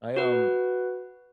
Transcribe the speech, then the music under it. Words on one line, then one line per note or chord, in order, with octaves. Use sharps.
I, um
F#4 B4